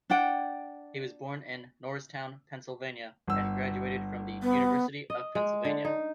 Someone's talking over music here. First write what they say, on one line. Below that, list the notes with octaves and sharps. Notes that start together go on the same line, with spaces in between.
He was born in Norristown, Pennsylvania, and graduated from the University of Pennsylvania.
D4 D5 F#5 G5
G1 E6
B3
D#5
G#3
D3
D#4